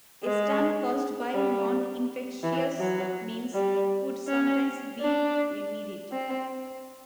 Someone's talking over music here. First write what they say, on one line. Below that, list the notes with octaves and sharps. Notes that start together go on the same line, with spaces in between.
A stunt caused by noninfectious means could sometimes be remedied.
G#3
G3
E3
F#3
G3
C#4
D4
C4